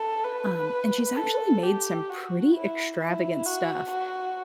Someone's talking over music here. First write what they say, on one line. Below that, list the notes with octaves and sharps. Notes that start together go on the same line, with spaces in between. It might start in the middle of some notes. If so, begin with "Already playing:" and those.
Um, and she's actually made some pretty extravagant stuff,
Already playing: A4
B4
A4
G4
F#4
E4
E4
F#4
F#4